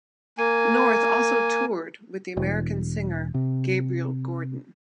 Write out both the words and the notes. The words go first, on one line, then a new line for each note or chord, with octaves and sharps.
North also toured with the American singer Gabriel Gordon.
A#3 G#5
E1
C3